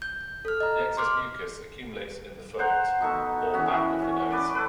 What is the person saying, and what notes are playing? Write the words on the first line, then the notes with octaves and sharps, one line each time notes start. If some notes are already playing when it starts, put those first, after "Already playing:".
The excess mucus accumulates in the throat or back of the nose.
G6
A4 F6
D#5 A#5
C6 D6 F6
C5 F#5 A#5
B2 D#4 A4 C#6
E3 C#4 F#4
C#4
C#4 B4 D5 D#5
A4 B4